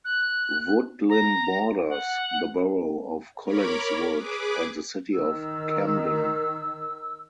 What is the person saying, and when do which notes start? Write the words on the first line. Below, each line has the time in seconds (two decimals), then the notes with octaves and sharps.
Woodlynne borders the Borough of Collingswood and the City of Camden.
0.05 F#6
1.09 A#5
1.89 F#5
3.44 A#4 C#5 B5 D6
4.14 G#4 B4 D6
5.14 D#3 E6